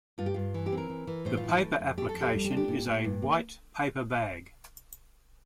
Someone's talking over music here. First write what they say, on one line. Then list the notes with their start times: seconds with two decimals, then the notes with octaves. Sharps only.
The paper application is a white paper bag.
0.18 G2 F4
0.26 G4
0.34 G2 F4
0.54 E3
0.66 G4
0.72 C4
0.77 A#4
0.90 E3
1.07 E3
1.25 A2 C5
1.37 F4
1.44 E3
1.49 E4
1.61 A3
1.79 F2
1.97 A3 G4
2.09 A4
2.14 F2
2.21 G4
2.33 G3
2.44 G4
2.51 D4
2.57 G4
2.68 A#2
2.87 A#2
3.04 G2
3.22 A#3